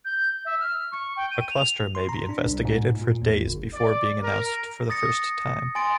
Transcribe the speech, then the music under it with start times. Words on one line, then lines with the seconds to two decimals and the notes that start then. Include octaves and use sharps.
A cluster may be investigated for days before being announced for the first time.
0.05 G6
0.45 E5
0.60 F6
0.91 C#6
1.16 G5
1.31 D#7
1.51 F7
1.95 C6
2.09 A#5
2.29 D4
2.46 C2
2.65 G#2
2.78 A#2
3.01 A#2
3.22 E2
3.46 G1
3.74 D5
4.23 A#4
4.90 D#6 A6 A#6 C#7
5.75 G#5 C6 A6 D7